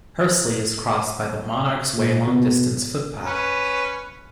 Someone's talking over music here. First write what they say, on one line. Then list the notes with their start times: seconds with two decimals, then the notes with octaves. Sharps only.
Hursley is crossed by the Monarch's Way long distance footpath.
1.94 A#2
2.27 B2
3.25 C#4 B4